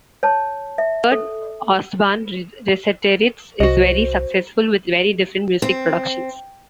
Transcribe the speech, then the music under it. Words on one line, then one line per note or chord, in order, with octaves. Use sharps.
Kurt Ostbahn, Resetarits is very successful with very different music productions.
C#5 A5
E5
A4
C2 F#4 C5 D#5
C4